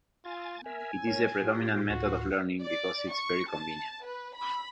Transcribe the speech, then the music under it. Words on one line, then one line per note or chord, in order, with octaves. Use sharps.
It is the predominant method of learning, because it is very convenient.
F4 G#5 A6
A#4 E5 G#5
A#4 C#5
A2 F4 G4
D2 F4 F#4
D5
C#6
A5
B4
B5